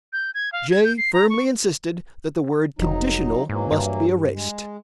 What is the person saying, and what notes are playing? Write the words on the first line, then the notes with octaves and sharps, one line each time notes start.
Jay firmly insisted that the word "conditional" must be erased.
G6
G#6
F5
G#6
G6
C7
A#5
C#6
F1 F#3 D#4
G#2 E3 F#3 A#3
G2
G#3